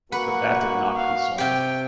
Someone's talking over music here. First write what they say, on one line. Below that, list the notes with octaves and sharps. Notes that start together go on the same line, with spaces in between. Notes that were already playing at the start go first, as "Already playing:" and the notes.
But that did not console me.
A#3 F#4 B4 F#5
F5
C3 G4 G5